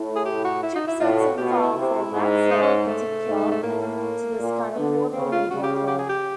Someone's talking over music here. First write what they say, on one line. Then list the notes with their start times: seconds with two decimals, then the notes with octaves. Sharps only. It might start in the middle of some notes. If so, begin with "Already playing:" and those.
Chipsets and file formats that are particular to this kind of portable media player.
Already playing: A2
0.16 G#4
0.25 G4
0.44 F#4
0.63 E4
0.75 D#4
0.88 E4
1.00 A2 F4
1.19 F#4
1.38 B2 G4
1.50 F4
1.63 E4
1.75 C3
2.12 G#2
2.50 D#4
2.63 C#4
2.88 A3
3.26 G#2
3.51 A3
3.63 A2 A#3
3.81 A#3
4.39 A#2
4.76 D3 B3
5.13 C#3 C4
5.32 F4
5.51 C#3 F#4
5.63 G4
5.75 G4
5.87 G4
5.99 G#4
6.09 G4